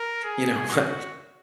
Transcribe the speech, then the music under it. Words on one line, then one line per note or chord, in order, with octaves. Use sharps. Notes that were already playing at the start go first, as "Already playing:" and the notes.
you know what,
Already playing: A#4
G#4
F#4